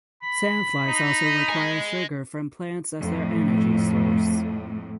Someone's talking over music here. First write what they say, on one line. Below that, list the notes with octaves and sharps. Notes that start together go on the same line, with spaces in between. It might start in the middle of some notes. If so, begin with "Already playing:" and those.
Sand flies also require sugar from plants as their energy source.
B5
D#4
D#5 G#5
F2 A2